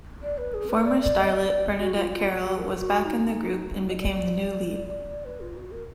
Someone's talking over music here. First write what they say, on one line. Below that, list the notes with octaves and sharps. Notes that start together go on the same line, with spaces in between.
Former Starlet Bernadette Carroll was back in the group and became the new lead.
D5
B4
G#4
B4
D5
D5
D#5
D5
D5
F#4
F4
F4
F#4
F#4
A#4
F#4
D#4
D#5
D5
B4
F4
F#4
A#4